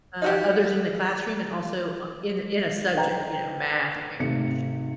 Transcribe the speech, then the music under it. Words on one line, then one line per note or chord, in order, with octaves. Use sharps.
uh, others in the classroom and also o in a in a subject, you know, math or english.
D#4 F#4 G4
B4 C5 D#5 G5 A#5
G#1 C3 A3 C#7